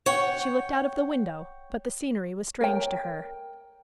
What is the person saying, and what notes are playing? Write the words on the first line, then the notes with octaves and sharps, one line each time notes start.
She looked out of the window, but the scenery was strange to her.
C#5 F#5 G5
A#4 C#5 G5